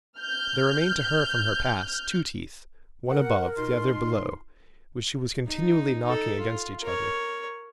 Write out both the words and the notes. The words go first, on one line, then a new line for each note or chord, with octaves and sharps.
There remained to her from her past, two teeth,--one above, the other below,--which she was continually knocking against each other.
F6 G6
A#4 F#5
B2 D#4 F4 C6
D#4
D#4 A4
F4
A#4 C#5